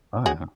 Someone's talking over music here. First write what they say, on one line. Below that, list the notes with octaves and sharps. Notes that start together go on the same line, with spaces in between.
Oh, yeah.
F#4 G#4